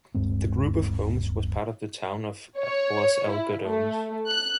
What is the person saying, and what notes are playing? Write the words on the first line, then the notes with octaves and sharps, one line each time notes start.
The group of homes was part of the town of Los Algodones.
D1 G2 G#3 C4
C#5
E4
A3
F#6